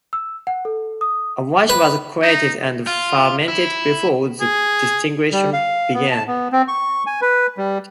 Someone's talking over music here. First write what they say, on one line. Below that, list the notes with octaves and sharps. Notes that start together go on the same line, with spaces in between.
A wash was created and fermented before the distillation began.
E6
F#5
A4
D#6
B4
D#4
F4
E4
G#4
G3
F5
B3
A5
B3
C4
C#6
G#5
B4
G3